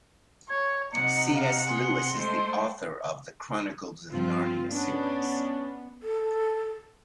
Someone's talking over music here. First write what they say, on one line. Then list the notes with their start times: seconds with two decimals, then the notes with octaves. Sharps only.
C.S. Lewis is the author of The Chronicles of Narnia series.
0.50 C#5 G#6
0.93 C3 D#4 F#5 C#7
1.35 F5
1.68 G#4 C6
2.15 G#3 A3 C5
4.10 G2 F3 C4 F4
4.72 B3 C#4 D4
6.02 A4